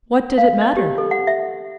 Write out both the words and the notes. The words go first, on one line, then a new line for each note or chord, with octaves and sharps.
What did it matter?
F5
D#5
G4
A4
F#5
E5